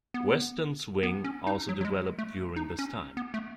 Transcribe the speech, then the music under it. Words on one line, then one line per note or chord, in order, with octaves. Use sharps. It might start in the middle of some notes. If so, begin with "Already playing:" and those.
Western swing also developed during this time.
B3
B3
C#4
D#4
F#3
F#3
G#3
A3
D#4
C#4
B3
A3